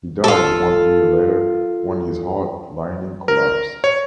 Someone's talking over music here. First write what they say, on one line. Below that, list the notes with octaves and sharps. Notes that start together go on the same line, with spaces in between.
He died one year later when his heart lining collapsed.
F4 A4
A#4
C#5